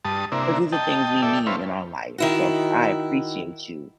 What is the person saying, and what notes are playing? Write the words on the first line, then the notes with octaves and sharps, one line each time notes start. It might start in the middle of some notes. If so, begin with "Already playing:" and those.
'cause these are things we need in our life, so I appreciate you.
G2 A5 D#6
C3 A#3 D4 E4
D#5 G5 A5
A4 D5 E5 G5
C4 E4 B4 C#5 F5
D#3 E4 F#4